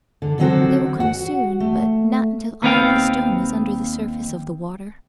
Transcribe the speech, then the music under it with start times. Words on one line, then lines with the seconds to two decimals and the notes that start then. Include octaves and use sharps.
"They will come soon, but not until all of this dome is under the surface of the water."
0.22 D3
0.38 D3 D#3 F#3 C4 F#4 A4
1.00 F#4 F#5
1.60 A3
2.63 D#2 B3 C4 F5 G5